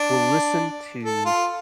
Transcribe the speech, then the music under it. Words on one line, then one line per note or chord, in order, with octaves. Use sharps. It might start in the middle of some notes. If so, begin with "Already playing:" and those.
will listen to
Already playing: D4
A4
F4